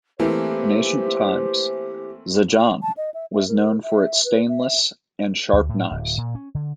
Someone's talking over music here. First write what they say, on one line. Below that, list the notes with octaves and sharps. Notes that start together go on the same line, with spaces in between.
In ancient times, Zanjan was known for its stainless and sharp knives.
E3 A3 A#3 C4 G4 C5
A5
D#5
E5
E5
A#4
E5
B4
E5
D2
A2
D1
A#2
C#4
D3